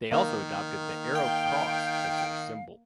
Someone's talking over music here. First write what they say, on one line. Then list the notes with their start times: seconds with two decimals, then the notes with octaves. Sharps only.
They also adopted the Arrow Cross as their symbol.
0.11 D#3 A#3
1.15 F5 G5